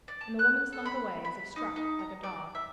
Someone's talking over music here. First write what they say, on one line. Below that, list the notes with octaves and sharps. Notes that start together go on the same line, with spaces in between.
And the woman slunk away as if struck, like a dog.
D5
A5
F#6
A4
B5
B5
D#4
D#4
A#5
D5
E5